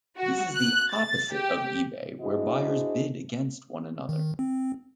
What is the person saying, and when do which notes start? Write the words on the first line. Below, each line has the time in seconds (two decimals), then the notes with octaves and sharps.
This is the opposite of eBay where buyers bid against one another.
0.17 F#4
0.54 F#6
0.92 A6
1.31 G4
2.21 D4 E4 F#4 G#4 C5 D#5
4.09 D#3
4.39 C4